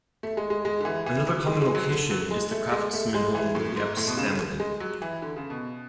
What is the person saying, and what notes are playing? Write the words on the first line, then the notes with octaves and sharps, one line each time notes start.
Another common location is the Craftsman home of the Eppes family.
A3
G#3
G#3
G#3
D3
E3
E3
F#3
G#3
G#3
F#3
D3
F#3
G#3
A3
G#3
A3
G#3
E3
A2
G#2
A2
B2
C#3
D3
G#3
F#3
E3
D3
C#3
B2